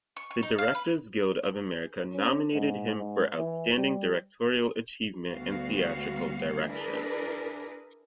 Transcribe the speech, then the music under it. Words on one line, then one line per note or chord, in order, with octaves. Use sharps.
The Directors Guild of America nominated him for Outstanding Directorial Achievement in Theatrical Direction.
C#6
C#6
D#4
F5
B4
C#4
G#2
G#2
E3
G3
D2 G3 B3 F#4 F5
D4 E4 G#4 A#4 B4